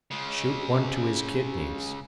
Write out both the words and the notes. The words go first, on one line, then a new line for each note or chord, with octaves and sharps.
"Shoot one to his kidneys!"...
C#3 G#3